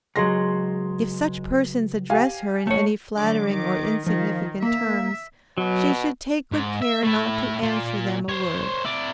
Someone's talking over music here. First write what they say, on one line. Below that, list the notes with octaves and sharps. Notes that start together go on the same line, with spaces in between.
If such persons address her in any flattering or insignificant terms, she should take good care not to answer them a word.
C#2 F#3 G#3 C6 A#6
G4 F5 G#5
A3 C#5
D3 F#3 D6
D#3
D#3 F3
A#3 E5
B2 F#3
G#2
E5
A3 E4
A#2 F4
C5 C#5
E4 D5